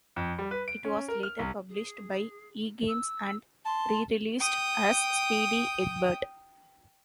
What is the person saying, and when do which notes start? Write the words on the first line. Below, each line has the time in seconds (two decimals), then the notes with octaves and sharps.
It was later published by eGames and re-released as "Speedy Eggbert".
0.16 F2
0.39 G3
0.51 B4
0.68 D7
0.85 C#4
1.08 A#4
1.23 F6
1.39 C2
1.69 G#4
2.87 E6
3.65 A5 C6
4.40 G5 D#6